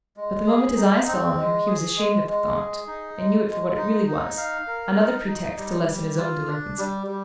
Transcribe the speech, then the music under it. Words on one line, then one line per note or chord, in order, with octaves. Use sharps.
But the moment his eyes fell on her he was ashamed of the thought, and knew it for what it really was: another pretext to lessen his own delinquency.
G#3
G#4
D#4
C4
G#3
G#4
G#3
G#3
G#4
D#4
G#3
G#3
D#4
D#4
F5
A#4
D#4
D#4
G3
G3
F4
D4
G3
G3